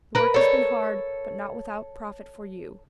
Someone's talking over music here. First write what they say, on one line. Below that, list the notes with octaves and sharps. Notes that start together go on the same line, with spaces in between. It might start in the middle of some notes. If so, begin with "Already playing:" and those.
The work has been hard, but not without profit for you.
A#4 B4
A4 C#5